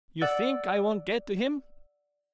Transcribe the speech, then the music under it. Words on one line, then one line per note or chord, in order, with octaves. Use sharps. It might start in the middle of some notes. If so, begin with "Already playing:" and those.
You think I won't get to him?
D5 F#5 E6 A6